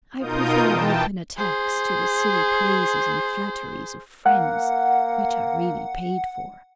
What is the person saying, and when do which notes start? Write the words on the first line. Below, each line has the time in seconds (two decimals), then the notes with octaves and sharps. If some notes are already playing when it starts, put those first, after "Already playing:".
"I prefer open attacks to the silly praises and flatteries of friends, which are really paid for."
0.19 B2 D#4 F4 A#4 D#6 G6
0.60 E3 G5 A5
1.37 G#4 C5
4.26 A#3 F#5